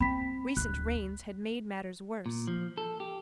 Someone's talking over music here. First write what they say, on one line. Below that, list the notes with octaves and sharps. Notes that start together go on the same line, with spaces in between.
Recent rains had made matters worse.
C4 B5 B6
D1 F#6
A#2
F3
A4
G4